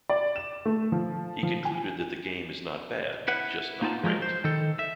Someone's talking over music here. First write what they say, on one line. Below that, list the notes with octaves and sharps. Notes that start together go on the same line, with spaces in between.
He concluded that The game is not bad, just not great.
D5
E7
A3
F3
F3
G#5
E4 B4 F#5
A#3 D#4 F4 G#5 A5
F3 F#3 G#3 A#4
C5
D#3 A4
E5